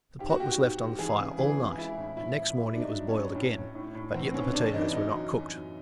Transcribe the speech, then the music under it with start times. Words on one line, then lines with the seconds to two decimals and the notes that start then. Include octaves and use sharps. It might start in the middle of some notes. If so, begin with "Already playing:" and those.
The pot was left on the fire all night, and next morning it was boiled again, but yet the potatoes were not cooked.
0.19 G#2 G4
0.30 F#4
0.40 G#2 G4
0.59 G#2
0.79 G#2
0.99 E3 G#4
1.18 C#3
1.38 E3 G#4
1.57 C#3
1.78 G#3 E4
1.97 A2
2.16 A2 E4
2.37 F3
2.56 F#3 E4
2.74 F#3 D4
2.82 D#4
2.95 F#3
3.08 C#4
3.15 F#3
3.35 A2
3.54 A2
3.75 A2
3.95 A2
4.14 E2 C4
4.33 E3 C#4
4.54 C3 D4
4.74 E3 D#4
4.93 F#2 D#4
5.12 F#2
5.32 F#2
5.52 F#2